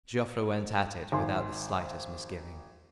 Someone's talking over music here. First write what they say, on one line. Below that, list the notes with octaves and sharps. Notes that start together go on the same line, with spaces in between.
Joffre went at it without the slightest misgiving.
G#1 G#5 C6